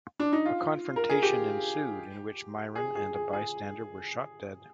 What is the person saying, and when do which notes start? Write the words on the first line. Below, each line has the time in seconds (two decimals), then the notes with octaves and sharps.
A confrontation ensued in which Myron and a bystander were shot dead.
0.20 D4
0.33 D#4
0.46 F4
0.96 A#4
1.09 G#4
1.22 G4
2.75 G#4
2.95 G#4
3.15 G#4
3.33 G#4